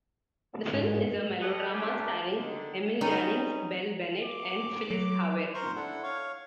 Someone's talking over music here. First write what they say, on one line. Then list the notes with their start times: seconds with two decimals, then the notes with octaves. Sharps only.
The film is a melodrama starring Emil Jannings, Belle Bennett, and Phyllis Haver.
0.73 G#2
1.40 G4 A4 B4 D#5 F#5
1.71 D3 A3 A#3 C#4 D4 G4
2.35 D3 D#3
3.01 G3 C#4 D#4
4.24 D6
4.90 F#3
5.54 A#4 C5 C6 C#6
5.76 D4 E4 A4 F#5
6.03 C#5 F5 C#6